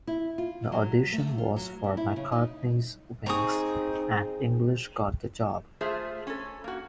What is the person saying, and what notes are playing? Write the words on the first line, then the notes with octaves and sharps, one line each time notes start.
The audition was for McCartney's Wings, and English got the job.
E4
F4
F#3
A3
F4
F#3
D4
E4
C#3
D#4
C4 D#4 G#4 A#5 C#6 D#6
A3 F4 G#4 C5 E5
C#4 A4
A#3 F#4